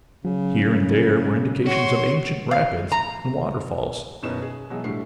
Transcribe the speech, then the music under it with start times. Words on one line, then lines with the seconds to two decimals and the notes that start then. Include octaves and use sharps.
Here and there were indications of ancient rapids and waterfalls.
0.25 C#3 F#3
1.65 F#4 C#5 C6
2.51 F5
2.92 A#5
4.23 F#1 B2 D#3 C#4 B4 E7
4.42 G#4
4.70 B2 E3 F#3 G#3
4.84 A2 D3 G3 C7